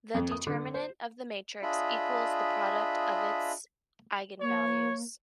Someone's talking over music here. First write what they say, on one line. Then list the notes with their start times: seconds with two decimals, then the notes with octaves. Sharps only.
The determinant of the matrix equals the product of its eigenvalues.
0.14 F2
0.31 D#6
0.47 D3
0.74 C5
1.62 D4 F4 G#4 D#5 E5 B5
4.41 A#3 C#5